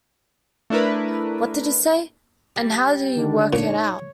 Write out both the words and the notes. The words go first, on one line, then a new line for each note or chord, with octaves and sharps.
What did he say, and how did he work it out?
A3 D4 E4 A#4 B4
G3
D3 D#3 D4
A#2 D#4 C#5